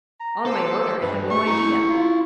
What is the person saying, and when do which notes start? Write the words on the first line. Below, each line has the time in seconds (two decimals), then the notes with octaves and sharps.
"On my honor, I have no idea."
0.20 A#5
0.46 A4 C5
1.02 G2 B4
1.31 A3 C#6
1.47 E4 A#5
1.90 F4